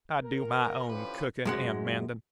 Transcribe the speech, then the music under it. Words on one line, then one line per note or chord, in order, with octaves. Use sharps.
I do my own cooking and mending.
A#4
D3 E3 F3 C#4 G4 B4
F#2 G#3 F#5